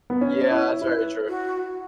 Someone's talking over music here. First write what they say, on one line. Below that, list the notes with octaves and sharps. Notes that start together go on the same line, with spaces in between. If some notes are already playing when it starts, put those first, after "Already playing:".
Yeah, that's very true.
B3
C#4
E5
C#5
E4
E4 B4
F#4